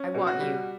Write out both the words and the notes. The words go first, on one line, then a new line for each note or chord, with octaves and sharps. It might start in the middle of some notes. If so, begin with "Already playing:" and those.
I want you.
Already playing: C#4
B2
F#4
G3